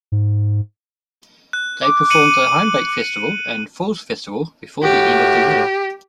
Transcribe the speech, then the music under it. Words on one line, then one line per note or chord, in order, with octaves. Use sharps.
They performed the Homebake Festival and Falls Festival before the end of the year.
G#2
F#6
D6
C#7 D#7 F#7
A2 F#4 G4